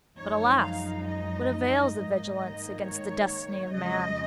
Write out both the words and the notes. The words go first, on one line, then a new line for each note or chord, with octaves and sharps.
But, alas? what avails the vigilance against the Destiny of man?
F#2 F3 G#3 D#4 C#5
F5
D#5
G#2 D#3 A#3 D#4 D#5
C#5
F2 C#3 F3 G#3 C#4 D#5